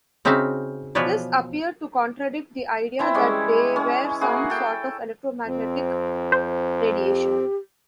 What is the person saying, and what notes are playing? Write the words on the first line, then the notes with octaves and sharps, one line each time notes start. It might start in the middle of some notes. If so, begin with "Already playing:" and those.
This appeared to contradict the idea that they were some sort of electromagnetic radiation.
C#3 C4 D#4 F#4 E5 F5
B2 E3 F3 B4 C#5 D5
E3 C4 E4
G3 G#3 C#4
C#4
A#3 E4 F#4 G#4
A4 G5
F2 C4
C5
G4